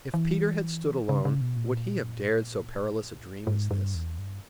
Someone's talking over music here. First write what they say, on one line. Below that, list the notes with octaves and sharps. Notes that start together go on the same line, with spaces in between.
If Peter had stood alone, would he have dared so perilous a dream as this?
E3
C#3
C#3
B2
A#2
G#2
G2
E2
G2